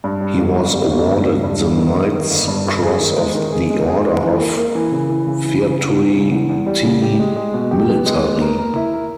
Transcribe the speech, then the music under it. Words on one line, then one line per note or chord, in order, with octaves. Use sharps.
He was awarded the Knight's Cross of the Order of Virtuti Militari.
G2
G3
G1
G1
G3
G1
G2
G2
G2
G1
D#3
D#3
D#3
G1
G2
G1
G#4
D#3
G#3
D#3
G#4
G#3
G#4
G#3
E3
A#3
A#3
E3
C#3
E3
C#3
E3
C#3
E2
E2
C#3
E2
E2
G3
C#3
G4
G#3
G#3
B2
G4
B3
G#3
B3
A#4
A#4
E4
A#4